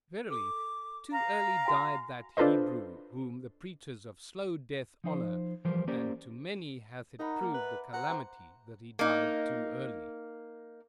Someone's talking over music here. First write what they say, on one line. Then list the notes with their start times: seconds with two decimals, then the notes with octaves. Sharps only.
Verily, too early died that Hebrew whom the preachers of slow death honour: and to many hath it proved a calamity that he died too early.
0.30 A4 D6
1.11 F5 A#5
1.65 F#4 F#5 G#5
2.37 D4 F4 A4 B4 C5 D#5
5.04 F3 D#4 C5
5.65 E3 F3 G3 A#4 C5
5.87 A#3 C#4 G4 A#4 C5 D5
7.19 D#4 A#4 F#5 B5
7.41 A#3 D5 E5
7.54 B4
7.93 C5 F#5 A#5
8.09 C5 E5 G5
8.99 A#3 D#4